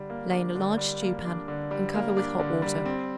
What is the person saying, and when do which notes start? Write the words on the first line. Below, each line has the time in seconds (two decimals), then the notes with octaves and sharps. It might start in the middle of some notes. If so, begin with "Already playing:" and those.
Lay in a large stew-pan and cover with hot water.
Already playing: D3 G3 D4
0.10 A#3
0.32 D4
0.55 D3
0.78 G3
1.02 A#3
1.25 D4
1.48 D3
1.71 G3
1.94 A#3
2.17 D4
2.39 D3
2.62 G3
2.86 C4